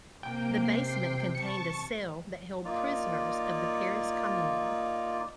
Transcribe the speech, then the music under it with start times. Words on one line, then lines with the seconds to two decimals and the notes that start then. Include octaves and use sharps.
The basement contained a cell that held prisoners of the Paris Commune.
0.23 C3 A#3 G5
0.65 G5 C7
1.35 A5 C#6 C#7
2.65 A#3 D#4 F4 D5